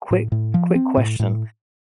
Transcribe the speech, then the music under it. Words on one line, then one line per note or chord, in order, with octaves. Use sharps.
quick quick question.
A2
A2
F3
C4
A2
A2